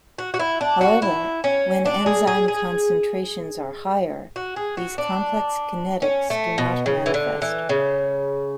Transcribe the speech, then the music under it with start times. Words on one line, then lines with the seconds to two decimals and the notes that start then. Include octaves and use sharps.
However, when enzyme concentrations are higher, these complex kinetics do not manifest.
0.18 F#4
0.34 F#4
0.39 E4
0.61 D4
0.81 F#4
1.02 E4
1.44 C#4
1.86 D4
2.06 G#4
2.27 G#4
2.48 G#4
4.36 F#4
4.56 G#4
4.77 F#4
4.98 D4
6.02 C#4
6.30 A3
6.58 B2
6.86 C#3
7.06 E3
7.14 D3
7.42 E3
7.69 C#3